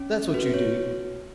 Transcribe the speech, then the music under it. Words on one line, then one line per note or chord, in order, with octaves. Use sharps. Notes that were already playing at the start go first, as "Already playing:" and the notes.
'That's what you do.
Already playing: C#4
F#4 B4
C#5